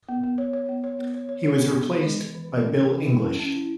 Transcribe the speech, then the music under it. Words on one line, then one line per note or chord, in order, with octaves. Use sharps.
He was replaced by Bill English.
B3
B3
C#5
C#5
B3
C#5
B3
C#5
C#5
C#5
B3
B3
E3
G#3
E3
E3
E3
C#4
E3
E3
E4
C#4
C#4
E4